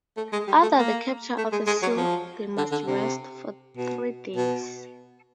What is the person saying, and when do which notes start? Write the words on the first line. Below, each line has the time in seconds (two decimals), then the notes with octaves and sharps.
After the capture of a seal, they must rest for three days.
0.17 A3
0.33 G#3
0.48 G3
0.62 A3
0.78 A#3
1.38 A3
1.52 G#3
1.67 G#3
1.82 F#3
1.97 F3
2.58 D3
2.72 D3
2.87 C3
3.77 B2
4.36 B2